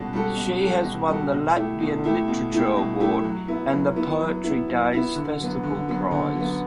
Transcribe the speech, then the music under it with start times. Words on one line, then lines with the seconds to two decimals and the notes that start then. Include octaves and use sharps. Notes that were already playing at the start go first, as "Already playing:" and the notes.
She has won the Latvian Literature Award and the Poetry Days Festival prize.
Already playing: B2 G3 C#4 F#4 A4
0.13 G3 C#4 F#4 A4
0.36 B2
0.61 G3 C#4 F#4 A4
0.84 B2
1.08 G3 C#4 F#4 A4
1.33 B2
1.56 A3 E4 G4
1.80 B2
2.04 A3 E4 G4
2.28 B2
2.52 A3 E4 G4
2.76 B2
3.00 A3 E4 G4
3.24 F#3
3.48 B3 E4
3.72 F#3
3.96 B3 E4
4.20 F#3
4.44 B3 E4
4.68 F#3
4.92 B3 E4
5.15 D3
5.40 F#3 B3
5.63 D3
5.88 F#3 B3
6.11 D3
6.35 F#3 B3